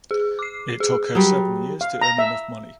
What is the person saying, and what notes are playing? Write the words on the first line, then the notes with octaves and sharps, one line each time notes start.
It took her seven years to earn enough money.
G#4
D6 C7
G#4
F#3 G3 G4
F5
A#5
E5